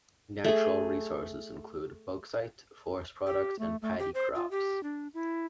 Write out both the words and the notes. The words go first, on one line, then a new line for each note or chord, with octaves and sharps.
Natural resources include bauxite, forest products and paddy crops.
A3 G#4
G4
A3
A3
G4
C5
F4
G4
D4
E4